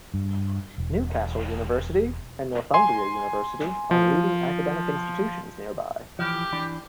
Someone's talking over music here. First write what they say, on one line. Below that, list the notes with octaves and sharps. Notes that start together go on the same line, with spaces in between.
Newcastle University and Northumbria University are the leading academic institutions nearby.
G2
E1
G#5 C6
F3
E3 F3 G4
E3 D4